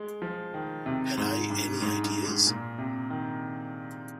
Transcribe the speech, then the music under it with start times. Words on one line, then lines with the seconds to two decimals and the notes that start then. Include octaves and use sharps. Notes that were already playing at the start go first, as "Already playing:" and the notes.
Had I any ideas?
Already playing: G#3
0.22 F3
0.54 D#3
0.86 C3
1.17 G#2
1.50 G2
1.82 G#2
2.03 G2
2.25 G#2
2.47 A#2
2.78 C3
3.10 D#3